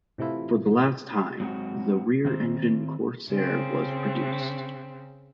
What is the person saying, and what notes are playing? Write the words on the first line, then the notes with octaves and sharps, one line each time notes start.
For the last time, the rear-engine Corsair was produced.
A2 C3 E3 A3 E4 F4
F#3 G#3 C4 F#4
D#3 C4 C5
C#3 C4